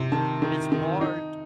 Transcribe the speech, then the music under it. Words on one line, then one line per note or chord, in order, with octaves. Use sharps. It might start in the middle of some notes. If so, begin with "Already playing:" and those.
it's hard
Already playing: C3
D#3 A5
D#3
D#3
D#4